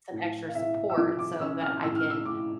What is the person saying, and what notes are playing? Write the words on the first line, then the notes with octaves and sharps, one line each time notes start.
some extra support so that I can,"
A2
F5
A2 E5
E6
F3 D6
D6
C#4 E6
F6
A2 E6
F6
E6
A2 D6